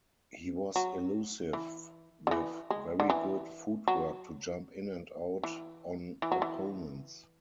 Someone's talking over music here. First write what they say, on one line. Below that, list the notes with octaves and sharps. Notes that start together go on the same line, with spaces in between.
He was elusive with very good footwork to jump in and out on opponents.
F#3
E3
D3
E3
G#3
D3
E3
F#3
E3
E3
F#3
E3